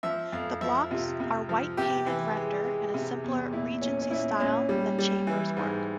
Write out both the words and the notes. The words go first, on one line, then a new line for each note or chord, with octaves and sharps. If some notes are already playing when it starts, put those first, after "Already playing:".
The blocks are white painted render in a simpler Regency style than Chambers' work.
F3 E5
F2 F5
F3 E5
C3 F4
C3
F3
C3 G4
E3
G#3
G#3
C3
E2
A#2 E4
A#2 C#4
C#4
A#2 E4
A#2 C#4
G3
G3
E3
G#2